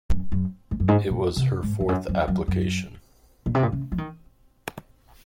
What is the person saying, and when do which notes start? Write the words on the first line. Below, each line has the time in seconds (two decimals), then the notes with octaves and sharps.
It was her fourth application.
0.13 F#2
0.32 F#2
0.71 G#2
0.80 F#2
0.88 G#2
1.10 A#2
1.36 C3
1.63 G#2
1.80 F2
1.89 F#2
2.08 F#2
2.28 F#2
2.48 F#2
3.46 A#2
3.55 C3
3.63 A#2
3.72 C#3
3.92 F3
3.98 D#3